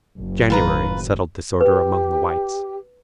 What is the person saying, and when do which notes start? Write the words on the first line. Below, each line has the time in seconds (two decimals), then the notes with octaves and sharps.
January settled disorder among the whites.
0.18 F#1
0.50 A2 D#3 F4 B4 A#5
1.61 G4 B4